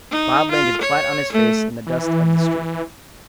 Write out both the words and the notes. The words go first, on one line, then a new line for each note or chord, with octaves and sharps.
Bob landed flat on his face in the dust of the street.
D#4
F4
C#5
A3
E3